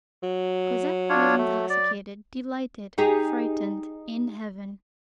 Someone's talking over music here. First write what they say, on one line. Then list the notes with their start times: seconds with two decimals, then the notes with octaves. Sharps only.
Cosette was intoxicated, delighted, frightened, in heaven.
0.23 F#3
1.10 D4 F4 C#5
1.38 A3
1.70 D5
2.98 D#4 G4 G#4